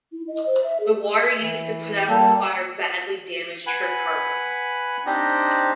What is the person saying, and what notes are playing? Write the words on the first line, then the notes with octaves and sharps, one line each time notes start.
The water used to put out the fire badly damaged her cargo.
E4
D#5
C5
E5
G#4
E3
G3 A#3 A4
B4 F#5 G#5 B5
C4 D4 D#4 G4 C5 D#5